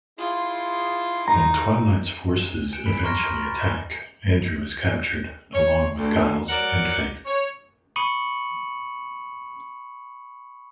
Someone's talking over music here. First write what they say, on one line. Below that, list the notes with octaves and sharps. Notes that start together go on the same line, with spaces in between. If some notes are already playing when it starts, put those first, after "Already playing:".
When Twilight's forces eventually attack, Andrew is captured along with Giles and Faith.
E4 F4 G#4 C6
D#4 A#5
G#5 F#6 G6 C#7 D7 E7
B5 B6 D7 E7
A#5 C6 C#6 F6 A#6
F6 G6
A#5 B5 A6
G#6 A6 B6 E7 G7
C#5
D2
F#3 A#4 D5 F#5
C#5
B5 C#6 D#6 C#7 D#7 F#7